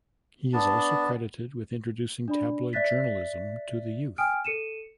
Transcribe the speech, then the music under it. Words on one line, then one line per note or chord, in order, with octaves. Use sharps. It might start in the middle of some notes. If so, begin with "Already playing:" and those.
He is also credited with introducing tabloid journalism to the youth.
B3 D4 A5
D4 D5 B5
D5 E5 F#6 A6 B6
G5 G#5 D#6 F6 D7
A4 C#7 D#7 E7